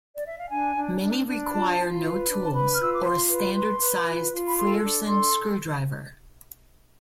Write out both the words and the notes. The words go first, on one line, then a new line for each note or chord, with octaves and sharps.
Many require no tools, or a standard-sized Frearson screwdriver.
D5
E5
F5
D4 G#5
D4
D4
D4
B5
F4 A5
F4
B4
D4
A5
B4 B5
F6
F4 E6
D6
F4 C6
B4
B4 C6
B4
F4
F4
B5
A4 C6
D4
A4 C6